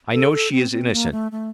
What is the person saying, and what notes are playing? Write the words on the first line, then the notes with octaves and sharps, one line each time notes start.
I know she is innocent.
A4
A4
C4
C4
A#3
A3
A3